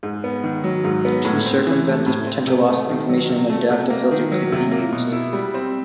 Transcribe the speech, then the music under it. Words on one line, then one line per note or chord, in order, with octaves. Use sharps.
To circumvent this potential loss of information, an adaptive filter could be used.
G#2
B3
D#3
F#3
G#2
B3
A2
C4
E3
A3
A2
C4
C3
A3
D#3
F#3
C3
A3
C3
A#3
D#3
F#3
C3
A#3
B2
E4
G3
C4